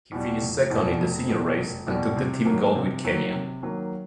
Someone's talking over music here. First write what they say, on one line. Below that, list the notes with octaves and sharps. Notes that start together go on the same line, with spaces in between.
He finished second in the senior race and took the team gold with Kenya.
E2 B2 G3
F1
E2 B2 G3
F1
E2 B2 G3
F1
E2 B2 G3
C3
D#3 F#3 A#3
C3
D#3 F#3 A#3
C3
D#3 F#3 A#3